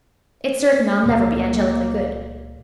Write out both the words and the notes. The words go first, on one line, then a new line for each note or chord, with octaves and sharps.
It's certain I'll never be angelically good.
C#2 A#2 A3 A#3